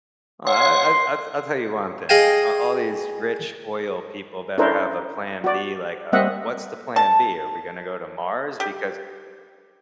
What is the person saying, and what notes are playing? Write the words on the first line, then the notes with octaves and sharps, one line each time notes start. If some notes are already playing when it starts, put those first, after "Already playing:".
I I I t I tell you one thing. A all these rich oil people better have a plan B, like, uh, what's the plan B? Are we gonna go to Mars? Because
C#5 F#5 C6
G#4 D#5 F5 G5 G#5
C#4 D4 E4 A4 A#4 C5
F#4 D5
G3 A#3 C4 D#5 E5 F#5
A5
G4